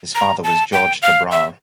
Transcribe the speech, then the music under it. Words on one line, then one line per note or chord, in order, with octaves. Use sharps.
His father was George Tabrar.
A#5
A5
G5
F5
E5